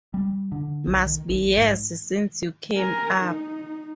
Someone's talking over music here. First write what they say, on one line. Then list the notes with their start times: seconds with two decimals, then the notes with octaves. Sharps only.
Must be years since you came up.
0.14 G3
0.52 D3
0.87 B1
1.06 D#3
1.29 A#1
1.57 G#2
2.74 A#4 G#5
3.22 D#4